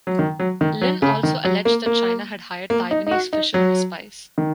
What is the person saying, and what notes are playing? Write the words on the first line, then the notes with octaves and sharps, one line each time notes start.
Lin also alleged that China had hired Taiwanese fishermen as spies.
F#3
D#3
F#3
D#3
F#3
C#3
D#3
F#3
A#3
A#3
A#3
D#4
D#4
F#4
D#4
F#3
D#3